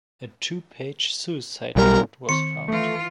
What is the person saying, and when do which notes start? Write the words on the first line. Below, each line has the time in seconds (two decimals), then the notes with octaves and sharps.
A two-page suicide note was found.
1.76 B1 F#3 G3 A#4
2.29 D#3 C4 C#6 C#7
2.68 E3 A3 F4